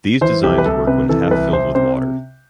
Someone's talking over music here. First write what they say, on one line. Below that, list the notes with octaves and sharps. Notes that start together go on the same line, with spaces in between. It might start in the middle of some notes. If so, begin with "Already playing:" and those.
These designs work when half filled with water.
E3 C5
C2 G4
B4
C2 A4
C3 B4
E3 A4
A4
C2 B4
C2 C5
C3 C5